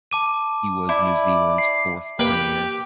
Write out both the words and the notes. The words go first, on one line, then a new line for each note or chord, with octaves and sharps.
He was New Zealand's fourth Premier.
A5 D6 D#7
E4 D5
C7
A#3 G4 B4 G5